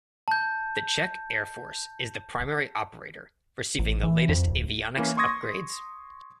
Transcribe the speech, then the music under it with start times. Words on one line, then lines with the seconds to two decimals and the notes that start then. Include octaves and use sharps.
The Czech Air Force is the primary operator, receiving the latest avionics upgrades.
0.28 A5 G6
3.79 A1
4.03 E3
4.29 F2
4.46 D1
4.97 E3 A#3 C#4
5.17 C6 C#6 D#6 G#6 A#6